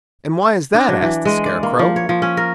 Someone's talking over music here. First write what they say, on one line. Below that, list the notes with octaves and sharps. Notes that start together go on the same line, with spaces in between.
"And why is that?" asked the Scarecrow.
D4
F#3
E3
G#3
D5
A#3
F3
C#5
F3
C#4
A#4